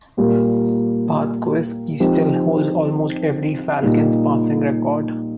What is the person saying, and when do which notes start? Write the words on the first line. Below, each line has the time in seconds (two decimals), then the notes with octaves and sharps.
Bartkowski still holds almost every Falcons passing record.
0.17 A#2 G3 A#3
2.00 F3 C4 D#4 G4
3.82 A#2 G3 A#3 D#4 G4